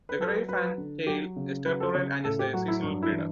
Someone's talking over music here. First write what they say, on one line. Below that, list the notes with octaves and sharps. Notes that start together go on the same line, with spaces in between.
The grey fantail is territorial and it is a seasonal breeder.
B4
F#3 A4
B4
F#3 B4
D3
F#3 G4
C#3
F#3 B4
A4
C#3 C#5
A2 A4
G4
F#3 F#4
E4
G2
E4
E3